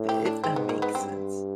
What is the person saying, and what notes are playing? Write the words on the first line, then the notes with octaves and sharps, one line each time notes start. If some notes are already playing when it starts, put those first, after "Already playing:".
if that makes sense.
Already playing: A2
G4
D4
G#2 C4
B3
A#3
B3
G2 C4